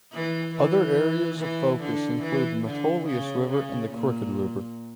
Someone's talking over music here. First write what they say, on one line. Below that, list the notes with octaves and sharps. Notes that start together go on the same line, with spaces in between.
Other areas of focus include the Metolius River and the Crooked River.
E3
E3
E3
D3
E3
D3
C#3
C#3
A#2